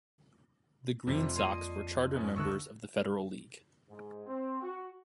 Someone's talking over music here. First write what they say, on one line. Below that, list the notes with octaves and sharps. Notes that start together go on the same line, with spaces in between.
The Green Sox were charter members of the Federal League.
F2 C3 G3
A#3 D5 D#5 C6 D#7
F#2 B2 C#4
D2 B3 A#4 C#6 E6 F#6
G#2
C4
F#4